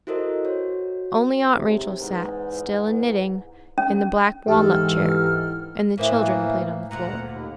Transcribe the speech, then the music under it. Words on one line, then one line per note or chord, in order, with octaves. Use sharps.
Only Aunt Rachel sat, still and knitting, in the black walnut chair; and the children played on the floor.
E4 F#4 A4 A#4 C5 D#5
F#4 C#5
D#2 G#2 C3
E2 G#2
C#4
G#2 D#3 E3 G4 A4 F6
A2 E3 A#3 C5 E5
D2 A#2 F#5 A#5
D#2